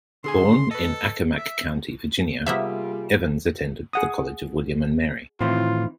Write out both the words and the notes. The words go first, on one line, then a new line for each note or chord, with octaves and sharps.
Born in Accomack County, Virginia, Evans attended the College of William and Mary.
D3 G#4 G#5 C6
A4 B4 D#5
E5
C3 G3 A#3 B3 F4 G#4 E5
G#4 F#5 D#6
A2 D#3 E3 C4 F4